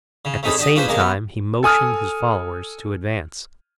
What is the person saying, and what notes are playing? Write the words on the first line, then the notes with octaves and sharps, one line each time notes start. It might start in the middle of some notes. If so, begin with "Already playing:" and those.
At the same time he motioned his followers to advance.
C#3
C3 A3 C#4 D#4 G#4 B5
D4 G4 D#5
C#4 D4 F4 G#4 B4 C5
A1 C3 G#3 A#3 A#4 D6
B3
A4 G#5 D#6 F6